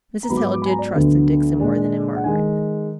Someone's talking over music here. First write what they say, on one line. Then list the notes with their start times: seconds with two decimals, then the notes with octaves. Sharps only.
Mrs. Hale did trust in Dixon more than in Margaret.
0.23 A#5
0.29 G#2 F#3 B3 B5
0.37 D6
0.45 B5
0.54 D6
0.62 B5
0.66 G#5
0.70 A#5
0.79 D5
0.94 D2 D3 F#3 B3
1.59 A#2 G#3 D4
2.16 F#5
2.24 D#3 G#3 G#5